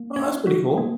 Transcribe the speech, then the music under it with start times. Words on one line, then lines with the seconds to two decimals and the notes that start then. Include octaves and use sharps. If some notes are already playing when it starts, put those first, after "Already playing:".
Oh, that's pretty cool.
Already playing: A#3
0.16 C#4 C#5
0.47 F#4
0.78 A#3